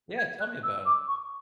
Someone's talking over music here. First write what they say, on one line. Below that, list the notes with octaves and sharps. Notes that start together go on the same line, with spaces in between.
Yeah, tell me about it.
G#6
F#6
E6
D6
C#6